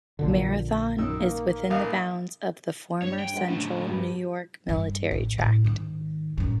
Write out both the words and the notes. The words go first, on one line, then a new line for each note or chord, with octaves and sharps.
Marathon is within the bounds of the former Central New York Military Tract.
A#1 A#2 D3
F#2 D#3 E6
A#3
A1 D#4 F5
G2 C#5
G5
G#3 C5 F#5
C#2 A2 D4
G2 G3 F#4 G4
G2
A1
A1 A2
G#2 D#3
A1 F#2